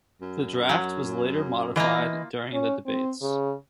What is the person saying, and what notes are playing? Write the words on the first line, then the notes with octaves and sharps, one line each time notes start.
The draft was later modified during the debates.
F#2
F#3
E3 A#3 E4 F4 D#5
C#4
C4
C#3